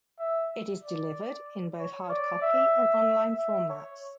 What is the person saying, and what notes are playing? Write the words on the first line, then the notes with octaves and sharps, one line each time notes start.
It is delivered in both hardcopy and online formats.
E5
D5
C#5
D5
E5
E5
C#5